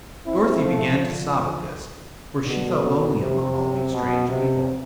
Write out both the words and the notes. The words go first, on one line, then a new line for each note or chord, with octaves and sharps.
Dorothy began to sob at this, for she felt lonely among all these strange people.
C4 E4
F3 A3
D3 F3
B2 D3
C3
B2
C3